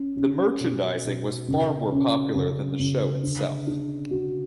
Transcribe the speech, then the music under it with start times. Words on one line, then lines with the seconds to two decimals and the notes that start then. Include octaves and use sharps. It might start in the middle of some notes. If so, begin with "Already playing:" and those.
The merchandising was far more popular than the show itself.
Already playing: C#4
0.17 C#4
0.60 B2
1.04 B2
1.48 C#3
1.92 C#4
2.35 C#3
2.80 C#3
3.23 D3
3.67 D4
4.11 F#4